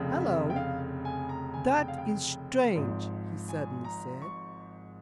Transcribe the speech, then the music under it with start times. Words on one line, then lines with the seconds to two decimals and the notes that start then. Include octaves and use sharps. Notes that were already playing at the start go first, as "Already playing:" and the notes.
"Hello, that is strange!" he suddenly said.
Already playing: F1 F2 C#3
0.20 E5
0.50 G5
0.56 F5
1.05 G#5
1.29 A#5
1.54 G#5
1.78 G5
1.88 F5
1.98 G5
2.75 G#1 G#2 F3
3.49 G#5
3.85 A#5
4.22 C#6